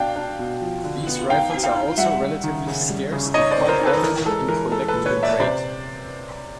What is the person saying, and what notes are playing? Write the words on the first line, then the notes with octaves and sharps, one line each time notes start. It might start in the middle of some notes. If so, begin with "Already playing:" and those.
These rifles are also relatively scarce, and quite valuable in collector grade.
Already playing: B2 D4 F5 G5
D4
B2
F3
D3
B3
D#4 F5 G5
C4
F5 G5
D#4
G3 E5 F#5
G3
D#3
C#3
G3
C#3
D#4 C#5 D#5
C5 D5
C4
A#4 C5
D#4
A4 B4
E3 A#4
G#3 A4
E3 A#4
G#3 A4
A4 B4
A#2
B4 C#5
A#2
D5 E5
C3 C5 D5